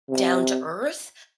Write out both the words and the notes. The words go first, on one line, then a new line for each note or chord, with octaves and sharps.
down to earth.
C3